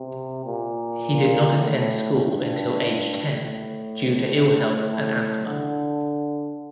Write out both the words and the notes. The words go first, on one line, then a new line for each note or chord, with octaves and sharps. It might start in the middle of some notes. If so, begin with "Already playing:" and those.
He did not attend school until age ten due to ill health and asthma.
Already playing: C3
A#2
A2
G2
A2
A2
A2
D3